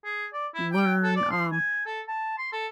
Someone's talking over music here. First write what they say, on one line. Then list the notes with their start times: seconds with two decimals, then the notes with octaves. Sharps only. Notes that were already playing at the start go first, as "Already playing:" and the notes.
learn, um,
0.04 G#4
0.33 D5
0.54 E4
0.72 G5
1.03 A4
1.16 D5
1.31 C6
1.52 G#5
1.86 A4
2.08 A5
2.38 C6
2.52 A4